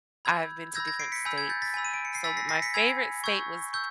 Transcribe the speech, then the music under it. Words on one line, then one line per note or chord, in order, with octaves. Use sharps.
I've been to different states. So but my favorite state was
B5 E6 G6 G#6
B5 E6 G6 G#6 A#6
G#6 A#6
C7 D7
B6 C#7
G#5 B5 E6 G6
G#6
G6 A6
A6 B6
G#5 B5 E6
D#7
D7
C#7
C7
G#5 B5 E6 A6 B6
A#6 C7
A#6 C7
B6 C#7
G#5 B5 E6 G#6
C#6 E6 G6 G#6
C#6 E6 G6